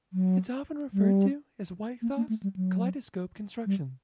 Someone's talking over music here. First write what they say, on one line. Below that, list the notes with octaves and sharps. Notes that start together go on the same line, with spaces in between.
It is often referred to as Wythoff's kaleidoscopic construction.
F#3
G3
A#3
A#3
A3
G3
F#3
G3